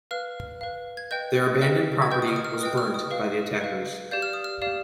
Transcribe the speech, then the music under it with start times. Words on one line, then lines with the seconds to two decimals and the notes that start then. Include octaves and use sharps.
Their abandoned property was burnt by the attackers.
0.11 B4 F5 F6
0.61 B4 F5
0.97 G#6
1.11 B4 D#5 G5 G6
1.61 B4 D#5 G5
2.02 G#6
2.11 B4 D#5 G5 G6
2.22 D#6
2.28 F6
2.36 D#6
2.44 F6
2.61 B4 D#5 G5 D#6
2.78 F6
2.94 D#6
3.11 B4 F5
3.61 B4 F5
4.11 G4 D5 F5 G6
4.22 F6
4.33 D#6
4.44 F6
4.62 G4 D5 F5